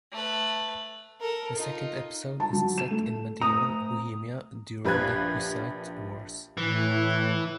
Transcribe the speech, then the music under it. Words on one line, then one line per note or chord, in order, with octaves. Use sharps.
The second episode is set in Medieval Bohemia during the Hussite Wars.
A3 B4
A4 A#4
D#4 F4
A5
F#3
E7
A3
A3 C4 A#5 D#6
A#1 G4 B4 F5 F#6 G#6
A2 E3